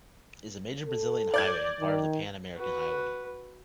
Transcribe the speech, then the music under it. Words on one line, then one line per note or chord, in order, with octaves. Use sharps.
It is a major Brazilian highway and part of the Pan-American Highway.
A4
D5 G6 G#6
D#3
F#4 B4